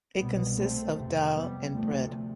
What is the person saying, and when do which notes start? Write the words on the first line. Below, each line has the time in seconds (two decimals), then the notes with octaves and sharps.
It consists of Daal and bread.
0.17 C2 B2 G3 B3
0.57 A3 C4
0.96 F2 C3
1.35 G3 B3
1.73 D2 C3 F3 A3